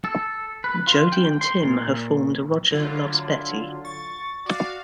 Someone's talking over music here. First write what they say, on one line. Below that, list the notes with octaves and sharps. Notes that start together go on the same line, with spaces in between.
Jodi and Tim have formed "Roger loves Betty".
A4
B4
F4
G5
C6
A#2
D3 F#3 E4 F4
C#6 A6
F#4 D5 F5